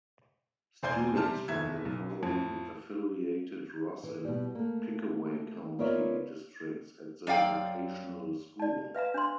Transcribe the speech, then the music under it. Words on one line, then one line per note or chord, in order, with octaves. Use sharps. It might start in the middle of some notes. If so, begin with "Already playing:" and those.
Students from the following affiliated Ross and Pickaway county districts at the vocational school.
E1 C5 D5 G#5 C6 G6
C3 G3 C4 A5 F6
F1 D#2 E5 G#6
B1
F2 A2
E3
B2 G3
A3 A#3
B3 F4 A#4 C#5 D5 E5
F#2 D5 F5 G5
D5 A5
B4 E5 F5 A#5
D4 C5 C6